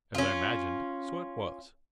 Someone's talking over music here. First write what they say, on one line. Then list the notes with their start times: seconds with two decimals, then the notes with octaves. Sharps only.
As I imagined, so it was.
0.15 C#4 F4